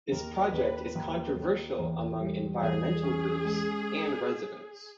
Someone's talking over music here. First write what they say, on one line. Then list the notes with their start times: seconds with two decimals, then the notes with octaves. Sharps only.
This project is controversial among environmental groups and residents.
0.11 D#2 A#4
0.53 D#2 B4
0.95 D#2
1.36 D#2
1.79 E2
2.20 G3
2.62 E2 G#4
3.03 C#4
3.45 G#3